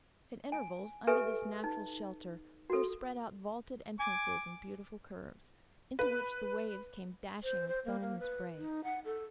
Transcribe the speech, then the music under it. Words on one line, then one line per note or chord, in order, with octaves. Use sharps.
At intervals, under this natural shelter, there spread out vaulted entrances in beautiful curves, into which the waves came dashing with foam and spray.
G#5
G4 A4 B4 E5 G#5
D#4
F#4 A4
G#5 D6
B4
C5
C5
A#3
A#3
B4
D#4
F#5
A4